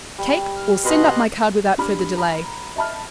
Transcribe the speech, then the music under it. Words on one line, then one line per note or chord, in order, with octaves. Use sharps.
Take or send up my card without further delay.
G3
F6
B2 D#5 F5 B5 C6 D#6 F#6
D4 G4 B5 F6
A#5 B5
D#5 E5 A5 B5 F6